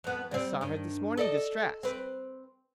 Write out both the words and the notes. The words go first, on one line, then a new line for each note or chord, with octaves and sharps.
I saw her this morning distressed.
F2 B3
G3 C4
G2 D#3
A4 D5 D#5
C4 B4